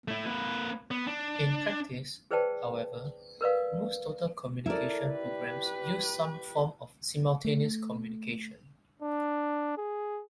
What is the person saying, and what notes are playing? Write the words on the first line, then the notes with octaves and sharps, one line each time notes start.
In practice, however, most Total Communication programs use some form of Simultaneous Communication.
A3 E4
A#3 B4
B3
D4
G#4 B4 C5 D5 G5 A5
A#4 B4 D5 F5
E4 A4 A#4 D5
G4 B4
A3
D4
G#4